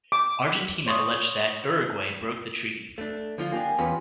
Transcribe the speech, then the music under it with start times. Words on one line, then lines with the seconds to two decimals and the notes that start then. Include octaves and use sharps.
Argentina alleged that Uruguay broke the treaty.
0.12 D6
0.86 C#5 C6 C#6 D#6
2.98 A3 D4
3.38 D3 F3 F4
3.52 A#3 D4 G4 G#5
3.78 E2 C#4 F4 B4